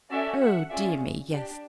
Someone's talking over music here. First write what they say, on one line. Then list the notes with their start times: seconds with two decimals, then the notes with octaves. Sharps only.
Oh dear me yes.
0.11 C#4 F#4 A4 D5 E5
0.40 E5 F#5
0.70 C#4 F4 G#4 D5 E5
1.31 D4 G4